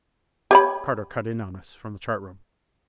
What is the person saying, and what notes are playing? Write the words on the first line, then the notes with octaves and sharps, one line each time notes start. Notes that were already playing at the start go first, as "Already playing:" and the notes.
Carter cut in on us from the chart room.
G4 C#5 B5